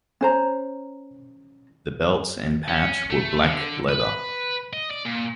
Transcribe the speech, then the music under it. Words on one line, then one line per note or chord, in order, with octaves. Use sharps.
The belts and pouch were black leather.
C#4 C5 A#5
C#4
A3
D3
B4
D#5
D5
A#2